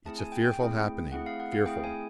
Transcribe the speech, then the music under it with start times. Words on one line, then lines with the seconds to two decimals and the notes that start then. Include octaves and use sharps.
"It's a fearful happening, fearful."
0.05 A3 C4 E4 G#4 A5
0.18 G#5
0.32 G5
0.45 G5
0.59 A3 C4 E4 G#4
1.12 A3 C4 E4 G#4 F#5
1.26 F5
1.40 F#5
1.53 F5
1.65 A3 C4 E4 G#4 G5
1.84 G#5